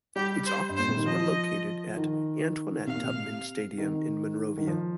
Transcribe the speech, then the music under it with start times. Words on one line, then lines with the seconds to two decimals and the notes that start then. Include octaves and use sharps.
Its offices are located at Antoinette Tubman Stadium in Monrovia.
0.16 G3 G4
0.46 C5
0.69 G2
0.77 A#2 C5
0.88 C3
0.97 D#3
1.06 F3 D#5
1.97 D#3
2.87 C3 F5
2.95 A#2
3.04 C3
3.78 D#3
4.58 D#3
4.67 F3